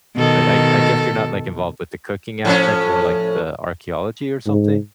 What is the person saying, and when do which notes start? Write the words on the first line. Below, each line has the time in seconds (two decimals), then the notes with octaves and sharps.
but I I guess you're not, like, involved with the cooking aspect, more like the archeology or something?
0.16 B2 D#3 A4
2.45 A2 F3 C#4
4.46 G#2